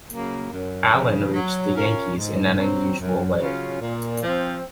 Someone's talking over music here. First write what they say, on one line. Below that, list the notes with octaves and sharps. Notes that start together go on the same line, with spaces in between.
Allen reached the Yankees in an unusual way.
C#3 F#3 A#3
F#2
C#3 F3
F#3
C#4 F4 A#4 C#5
G#2
F#3 C4
F#2
C#3 F#3 C#4 F4
A#2
F3 C4